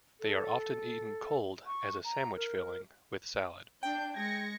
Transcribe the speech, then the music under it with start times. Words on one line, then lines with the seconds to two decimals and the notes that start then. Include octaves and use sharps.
They are often eaten cold as a sandwich filling, with salad.
0.21 A4
1.67 C#6
2.04 A#5
2.36 A#4
3.83 D4 G5 G6
4.16 G#3 G#6 A#6 C#7